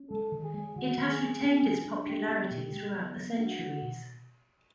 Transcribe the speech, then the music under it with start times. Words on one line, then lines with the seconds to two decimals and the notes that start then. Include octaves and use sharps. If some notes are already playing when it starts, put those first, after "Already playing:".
It has retained its popularity throughout the centuries.
Already playing: C#4
0.10 G#3 A4
0.32 D#3
0.43 G#4
0.54 G#3
0.76 D#3 F#4
0.97 D#3
1.09 G#4
1.19 C#4
1.42 B3 G#4
1.63 G#3
1.85 D4
2.06 D4 G4
2.28 B3
2.51 B2
2.72 G#3
2.94 B3
3.16 B3
3.38 D4 F#4
3.60 G#3
3.82 B2